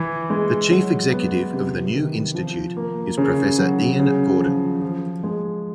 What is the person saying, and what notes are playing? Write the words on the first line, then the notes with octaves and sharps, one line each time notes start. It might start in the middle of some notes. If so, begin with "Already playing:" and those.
The chief executive of the new institute is Professor Iain Gordon.
Already playing: E3
G#3
F#3
B3
C3
D#3
F3
A#3
C#3
F#3
C#3
F3
F3
G#3